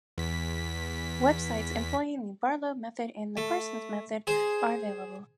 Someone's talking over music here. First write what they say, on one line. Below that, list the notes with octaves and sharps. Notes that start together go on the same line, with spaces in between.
Websites employing the Barlow method and the Parsons method are available.
E2 B6
A3
G#4 C5